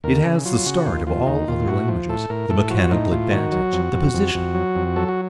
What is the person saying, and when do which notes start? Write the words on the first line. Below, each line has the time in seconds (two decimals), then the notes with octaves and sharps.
It has the start of all other languages--the mechanical advantage--the position.
0.04 D#2 A#4
0.25 C#3
0.46 F#3 F4
0.66 C#3 F#4
0.86 D#2 F4
1.07 D#2 F4
1.27 D#2 D#4
1.48 D#2 F4
1.68 A2 F#4
1.88 F3
2.09 A2 A4
2.30 A2 A#4
2.50 A2 A4
2.70 F3 F#4
2.91 A2 D#4
3.11 A2 F4
3.32 D#3 F#4
3.52 F#3
3.73 F2
3.93 F2
4.14 F2
4.35 F2
4.54 F#3
4.75 F2
4.96 F#3 A4
5.09 F#4